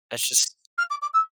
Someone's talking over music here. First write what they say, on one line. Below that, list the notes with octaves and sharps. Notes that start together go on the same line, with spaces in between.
that's just
F6
D6
D6
E6